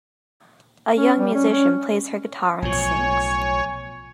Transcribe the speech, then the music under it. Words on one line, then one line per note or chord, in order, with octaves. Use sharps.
A young musician plays her guitar and sings.
C#4
G3
C#4
C#4
B1 A2 F3 C#5 G#5